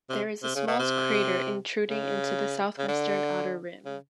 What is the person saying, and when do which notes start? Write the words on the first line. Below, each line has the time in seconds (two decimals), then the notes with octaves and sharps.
There is a small crater intruding into the southwestern outer rim.
0.10 C3
0.43 C3
0.55 C#3
0.68 B2
0.79 C3
1.90 C#3
2.78 C#3
2.88 D3
3.86 C#3